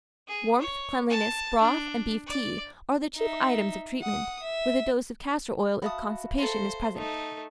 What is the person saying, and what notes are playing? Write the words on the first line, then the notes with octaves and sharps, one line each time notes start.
Warmth, cleanliness, broth, and beef-tea, are the chief items of treatment, with a dose of castor oil if constipation is present.
G#4
C#5
A5
D4
D5
D#4 E5
F#5 D#6
E5
F#4 E5 F5 A5 B5 D#6
A4 C5 A#5
A3 D#4